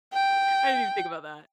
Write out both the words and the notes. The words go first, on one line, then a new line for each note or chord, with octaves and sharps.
didn't even think about that.
G5